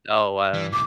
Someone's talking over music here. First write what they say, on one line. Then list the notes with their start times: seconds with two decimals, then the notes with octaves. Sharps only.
Oh wow,
0.54 E3
0.73 B1 A2 D6